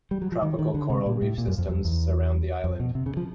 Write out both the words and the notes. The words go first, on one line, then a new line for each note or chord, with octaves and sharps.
Tropical coral reef systems surround the island.
G3
F#3
F3
D#3
D#3
D3
C3
A#2
A2
A#2
F#2
F2
F2
E2
F2
B2
C3
C#3
F3